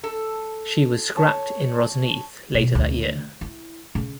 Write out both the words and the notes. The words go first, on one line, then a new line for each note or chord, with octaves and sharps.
She was scrapped in Rosneath later that year.
A4
C#5 A5
B2
D2
E4
C#3